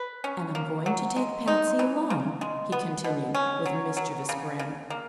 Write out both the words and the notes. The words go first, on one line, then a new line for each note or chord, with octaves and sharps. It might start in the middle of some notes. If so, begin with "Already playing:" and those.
"And I'm going to take Patsy along," he continued, with a mischievous grin.
Already playing: B4
C#4
A#3
F#3
G#3
D#4
E3
C#3
G#3
B3
B2
C#4
F#3
F#3
C#3
C#3
A#3